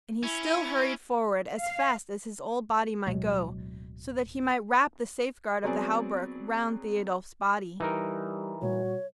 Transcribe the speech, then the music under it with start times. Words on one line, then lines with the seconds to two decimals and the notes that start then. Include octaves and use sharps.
And he still hurried forward as fast as his old body might go, so that he might wrap the safeguard of the Hauberk round Thiodolf's body.
0.23 C#4 E4
1.60 F5
3.06 D1 B2 F#3 G#3
5.64 F#3 B3 C4 G#4 D5
7.80 E3 G3 D#4 A#4
8.62 A#2 G3 F#4 C#5